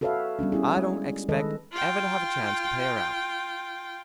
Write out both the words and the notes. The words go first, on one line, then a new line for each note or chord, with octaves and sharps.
I don't expect ever to have a chance to pay her out.
F#4 A4 B4 C#5 E5 F5
G3 B3 C#4 D4
C#4 E4 G#4
G#3
D#3 G#3 A4 B4 D#5
F4 G5